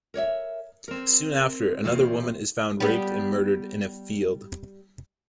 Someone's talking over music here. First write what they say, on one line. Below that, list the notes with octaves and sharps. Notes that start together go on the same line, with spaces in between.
Soon after, another woman is found raped and murdered in a field.
A#4 C#5 D5 E5
C4 A#4
E2 A2 C3 A#3 C4 F4
G3 B3